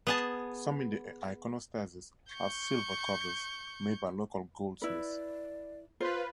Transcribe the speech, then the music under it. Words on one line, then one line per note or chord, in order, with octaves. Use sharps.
Some in the iconostasis have silver covers made by local goldsmiths.
B3 G#4 A5
C#6 G6
E4 B4 D5
F4 B4 C5